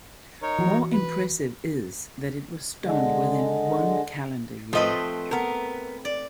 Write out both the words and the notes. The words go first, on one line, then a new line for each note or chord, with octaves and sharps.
More impressive is that it was done within one calendar year.
D#4 A#4 C#5
E3 F#4
B4
D3 G#3
F3 A3 C4 B4 D#5
B3 A#4
D5